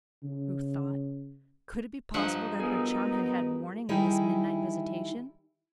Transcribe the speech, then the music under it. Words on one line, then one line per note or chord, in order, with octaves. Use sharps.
Ruth thought. Could it be possible that her chum had had warning of this midnight visitation?
C#3
G2 F3 D#4 F#5
B3 G#4 A#4
D#3 G3 D#4 E4 G#4